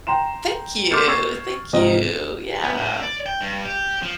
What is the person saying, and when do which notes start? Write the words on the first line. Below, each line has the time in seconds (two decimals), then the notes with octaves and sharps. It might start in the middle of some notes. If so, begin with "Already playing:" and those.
Thank you. Thank you. Yeah.
0.07 G5 A#5 C6 E7
0.91 C6 D6 F6 G6 A6
1.08 C#6 E6 G#6 A6 C7
1.73 G#2 C3 F3 D#5 D#6
2.64 B3
2.77 A2
3.02 D5
3.26 G5
3.41 G2
3.65 G4
4.02 F3